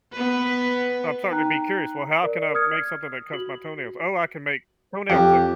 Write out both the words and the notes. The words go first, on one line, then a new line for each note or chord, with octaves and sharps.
So I'm starting to be curious, "Well, how can I make something that cuts my toenails? Oh, I can make toenail clippers."
B3 B4
D#4 G5 A#5 F#6
A#4 D5
D#6 F6 G#6 C#7
F#4 F#7
F2 G4